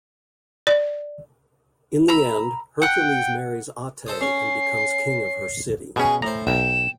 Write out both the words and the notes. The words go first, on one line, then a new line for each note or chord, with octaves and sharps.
In the end, Hercules marries Ate and becomes king of her city.
D5
A#5 B5 E6
F#5 G5 F#6
A4 C5 D#6
C#4 C7
B2 G#3 C#4 G#4
A2 C5 A#5
B1 G5 E7